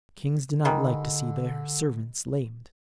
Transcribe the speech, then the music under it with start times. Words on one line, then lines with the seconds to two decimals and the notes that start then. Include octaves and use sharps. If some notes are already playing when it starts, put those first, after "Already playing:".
Kings do not like to see their servants lamed.
0.65 D3 D#3 G3 G#3